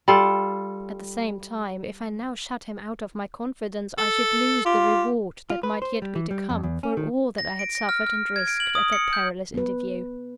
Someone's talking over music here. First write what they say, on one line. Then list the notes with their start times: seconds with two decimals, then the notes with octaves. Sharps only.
At the same time, if I now shut him out of my confidence, I should lose the reward that might yet be to come, for all that I had suffered and risked at that perilous interview.
0.08 G3 F4 A4
3.98 A4
4.65 F4 G4
5.50 F4
5.63 B4
5.82 C5
6.02 G3
6.15 E3
6.31 G3
6.49 F2
6.63 E2
6.83 C#4
6.97 D#3
7.38 A#6
7.59 D7
7.75 A#6
7.89 F6
8.07 F6
8.36 G#6
8.48 D7
8.60 F#7
8.75 D#6
8.93 C#7
9.13 G6
9.54 B3 B4